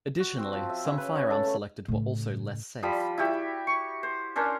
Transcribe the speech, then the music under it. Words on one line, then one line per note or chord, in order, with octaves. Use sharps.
Additionally, some firearms selected were also less safe.
F#4
C4
F3
E5
C#3
B4
C#5
A4
A3
A2 C#3
F3 G3 B5
E4 F#4 G4 E5
C#6
C5
C#4 D4 A#4 C5